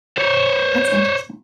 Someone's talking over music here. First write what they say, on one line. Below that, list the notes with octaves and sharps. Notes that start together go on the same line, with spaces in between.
that's interesting.
C5 C#5